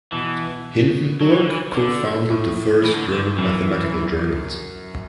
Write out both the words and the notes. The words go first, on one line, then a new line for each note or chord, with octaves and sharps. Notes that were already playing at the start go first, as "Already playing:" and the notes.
Hindenburg co-founded the first German mathematical journals.
B2 E3
F#3
E3
D3
E3
D3
A2
E3
D3
D3
F#2 E3